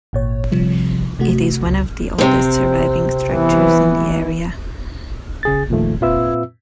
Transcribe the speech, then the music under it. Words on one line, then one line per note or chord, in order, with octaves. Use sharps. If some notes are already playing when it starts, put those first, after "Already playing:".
It is one of the oldest surviving structures in the area.
G#1 A#2 C#5
C3 F3 G3
C3 A3 F#4
C#2
C3 C4
E3 B3
C#3 G#4 A6
F2 A#2 D#3 F3 A3
A#2 C4 F4 B4 E5 E6